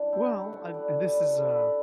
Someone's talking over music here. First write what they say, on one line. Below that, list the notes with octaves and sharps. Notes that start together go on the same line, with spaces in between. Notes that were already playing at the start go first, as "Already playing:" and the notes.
Well, I and this is a
Already playing: F#2 E3 G3 D4
E4 G4
F#4 A4
B4 D5
G2 E3 G3 B4 D5
A4 C#5
B4 D5
B4 D5